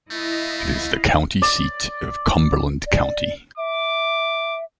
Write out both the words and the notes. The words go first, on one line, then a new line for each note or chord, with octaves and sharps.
It is the county seat of Cumberland County.
A3 E4 D#5 F5
D5
D5
E5 D6